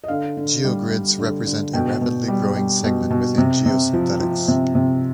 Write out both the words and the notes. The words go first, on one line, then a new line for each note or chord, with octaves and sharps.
Geogrids represent a rapidly growing segment within geosynthetics.
D#5
D3 F5
D3
G3
G3
D3
D3
B2 G5
B2
G3
G3
B2
B2
C3
C3
F3
F3
C3
C3